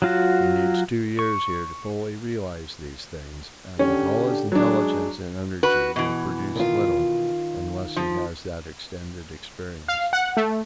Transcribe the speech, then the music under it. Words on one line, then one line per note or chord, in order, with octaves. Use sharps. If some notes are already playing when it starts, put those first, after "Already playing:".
He needs two years here to fully realise these things, and with all his intelligence and energy will produce little unless he has that extended experience.
F#3 F4 F#4
C#6
D3 C#4 D4 G4
F#3 G#3 D4 G#4
F#4 B4
B2 E3
D#3 F4
F3
F5
F#5
A3